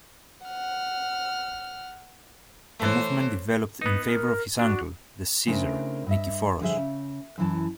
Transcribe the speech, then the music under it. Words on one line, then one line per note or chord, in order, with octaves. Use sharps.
A movement developed in favor of his uncle, the "Caesar" Nikephoros.
F#5 F6
E3 A3 C5 C#5
B3 D#4 B4
A#4
D4 F#4
C#3 A3 C4 D4 E4 A#4
G2 D#5 E5
F2 D3 G3 G#4 E5
C#3
F#2 E3 A5